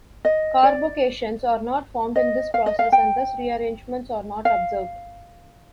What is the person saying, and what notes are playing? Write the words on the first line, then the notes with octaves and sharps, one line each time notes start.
Carbocations are not formed in this process and thus rearrangements are not observed.
D#5
D5
D#5
F5
D#5
F5
G5
F5